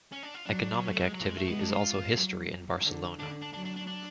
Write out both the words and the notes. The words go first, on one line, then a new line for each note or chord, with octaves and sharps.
Economic activity is also history in Barcelona.
C#4
D4
F4
F#3 D4
C#4
A3
G#3
F#3
G#3
A3
G#3 B3
D4
F4
F#3
D3
D3 D4
D4
F#3 D4
D4
D4
D4